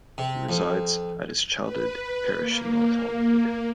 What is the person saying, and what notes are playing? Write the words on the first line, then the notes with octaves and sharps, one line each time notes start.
He resides at his childhood parish in North Hollywood.
C3
F2
B4
A#3